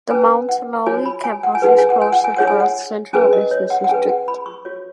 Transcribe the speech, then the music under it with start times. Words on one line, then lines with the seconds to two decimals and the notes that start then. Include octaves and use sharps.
The Mount Lawley Campus is close to Perth's central business district.
0.10 C#4 B4 G#5
0.49 F#5
0.86 D#4 F#4 C#5 G#5
1.06 B5
1.24 G#5
1.43 F#5
1.55 G#5
1.62 D#4 G#4 B4 F#5
1.78 G#5
1.90 F#5
2.02 G#5
2.13 F#5
2.24 G#5
2.36 D#4 G#4 C#5 F#5
2.47 G#5
2.60 F#5
3.13 C#4 G#4 B4 G#5
3.33 D#5
3.51 C#5
3.70 F#5
3.84 F#5
3.89 C#4 G#4 B4 G#5
4.09 F#5
4.28 B5
4.46 C#6
4.65 F#4 C#5